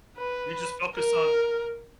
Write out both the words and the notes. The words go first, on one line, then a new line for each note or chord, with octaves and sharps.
You just focus on
B4
A#4